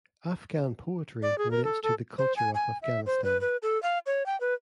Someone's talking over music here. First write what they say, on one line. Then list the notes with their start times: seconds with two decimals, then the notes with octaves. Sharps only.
Afghan poetry relates to the culture of Afghanistan.
1.22 D5
1.38 G#4
1.51 A#4
1.64 A4
1.83 A4
2.18 C5
2.37 G#5
2.54 G#5
2.82 E5
3.06 C5
3.24 B4
3.41 B4
3.62 A4
3.83 F5
4.06 C#5
4.26 G5
4.41 B4